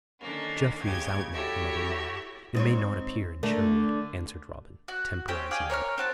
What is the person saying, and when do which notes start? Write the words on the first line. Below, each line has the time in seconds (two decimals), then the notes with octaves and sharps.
"Geoffrey is outlawed, mother mine, and may not appear in Sherwood," answered Robin, temporizing with her.
0.20 D3 D#3 A#3 C#4
0.83 D#2 C#3 G4 G#6
1.33 E4 F#4 G4 A4 C#5 E5
2.55 G#2 C4 C#5
3.43 D3 A3 A#4
4.88 F#4
5.28 C4 C#4 G4 G5
5.51 G#4 D5 F5 G5
5.70 A#4 C#5 B5 F6
5.98 C4 F#4 A5